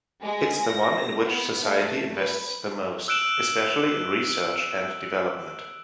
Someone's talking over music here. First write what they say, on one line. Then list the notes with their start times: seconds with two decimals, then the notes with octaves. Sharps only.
It’s the one in which society invests the most, especially in research and development.
0.22 G#3
0.64 A#6
1.23 B3
1.63 A3
2.14 B4
3.08 E6 F#6 D7 E7 F#7